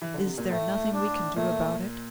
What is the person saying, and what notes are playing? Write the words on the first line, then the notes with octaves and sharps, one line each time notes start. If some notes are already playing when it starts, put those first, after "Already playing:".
"Is there nothing we can do about it?"
E3
D3
C3
A#2
A2 A3
D4
A#2 A3